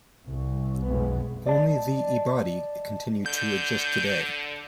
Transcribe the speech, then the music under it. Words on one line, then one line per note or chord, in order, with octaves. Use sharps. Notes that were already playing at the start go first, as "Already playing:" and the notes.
Only the Ibadi continue to exist today.
C2
B1 F2 G#3 B3
D5 D#5 A5
D3 G6